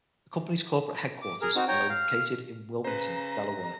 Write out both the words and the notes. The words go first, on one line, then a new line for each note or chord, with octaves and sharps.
The company's corporate headquarters are located in Wilmington, Delaware.
D6
G#4 A#4
C4 D#4 F#4
C#5 G5 A#5
F5
C#3 B4 C5 A#5